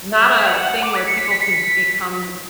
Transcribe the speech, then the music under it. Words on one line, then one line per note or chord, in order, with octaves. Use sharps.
not a thing where people can become
E5
F#5
D6
B6
C#7
B6
B6
C#7
B6